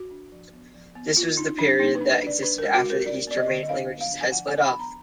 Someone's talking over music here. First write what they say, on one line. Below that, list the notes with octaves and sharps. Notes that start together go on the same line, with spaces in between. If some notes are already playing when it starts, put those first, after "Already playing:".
This was the period that existed after the East Germanic languages had split off.
Already playing: F#4
D4
F3
B3
F3
B3
A#3 F4
D4 D#4
F#3 D4
A#3 D#4
B4
D4
B4
D4
D5
D4 B4
A#4
G#3
F#4
G#3 A#4
D4 D5
B3 D5
D#5
D3
D#5
D4 F5
B3
F5
D4
G#5
F3 F#5
D4 G#5
B5
B3
A#5